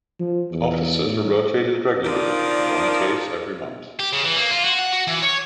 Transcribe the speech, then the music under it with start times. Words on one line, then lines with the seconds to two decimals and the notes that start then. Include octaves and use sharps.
Officers were rotated regularly-in one case every month.
0.20 F3
0.52 E2
1.05 A2
2.04 D#3 F3 A#3 D4 A#4 D5
3.99 G4
4.13 C#3
4.24 E3
4.36 A#3
4.51 F4
4.65 F#4
4.79 F#5
4.92 F#4
5.07 E3
5.22 C#5